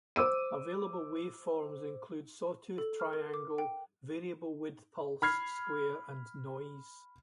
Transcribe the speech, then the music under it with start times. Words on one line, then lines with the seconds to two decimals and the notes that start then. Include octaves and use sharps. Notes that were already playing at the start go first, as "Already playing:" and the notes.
Available waveforms include sawtooth, triangle, variable width pulse, square, and noise.
0.16 C5 D6 E6 D#7
2.78 A4
3.00 F6
3.13 A#4
3.34 D6
3.58 G5
5.22 B5 F6 G#6 C7